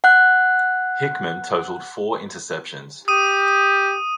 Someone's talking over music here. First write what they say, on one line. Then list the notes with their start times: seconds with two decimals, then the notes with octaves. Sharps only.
Hickman totaled four interceptions.
0.04 F#5 F#6
3.08 G4 D#6 D#7